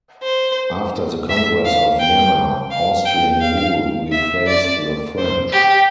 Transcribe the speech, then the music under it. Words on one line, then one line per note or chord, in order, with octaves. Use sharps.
After the Congress of Vienna, Austrian rule replaced the French.
C5
E5
F5
G5
F5
G5
F5
E5
D5
C5
G4